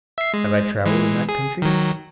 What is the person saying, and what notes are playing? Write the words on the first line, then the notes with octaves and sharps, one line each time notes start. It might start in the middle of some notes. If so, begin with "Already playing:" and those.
Have I travelled in that country?
E5 C7
G#3
E3 G#3
G#4
D#3 F#3